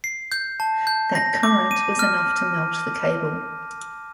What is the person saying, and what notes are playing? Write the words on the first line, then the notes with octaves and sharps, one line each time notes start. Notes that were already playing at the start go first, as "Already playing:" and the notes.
That current was enough to melt the cable.
C7
G6
A5
G6
A#6
D6
D#7
F6